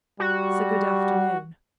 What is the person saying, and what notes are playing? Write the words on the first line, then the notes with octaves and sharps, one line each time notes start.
So good afternoon.'
G3 F#4